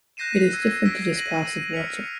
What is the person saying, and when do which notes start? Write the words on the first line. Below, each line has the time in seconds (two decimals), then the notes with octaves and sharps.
It is different to just passive watching.
0.17 F#6 G6 A#6 C7 D#7 E7
0.33 B6
0.53 E6 G#6 C7
0.85 E6 F#6 A#6 B6 D7
1.17 A#6 D#7 F#7
1.73 F6 B6 C#7 F7